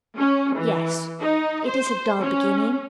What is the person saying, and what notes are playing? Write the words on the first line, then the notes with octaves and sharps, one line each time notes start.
'Yes, it is a dull beginning.
C#4
E3
D#4
C5
C#4